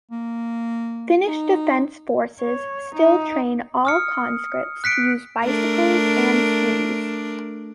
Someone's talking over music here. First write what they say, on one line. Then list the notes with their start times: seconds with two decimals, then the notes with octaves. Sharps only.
Finnish defence forces still train all conscripts to use bicycles and skis.
0.11 A#3
1.28 D#4
2.40 C#5
2.95 D#4
3.85 D#6 F6 C#7
4.84 F#6 B6 C#7 D7
5.44 A3 D4 A#4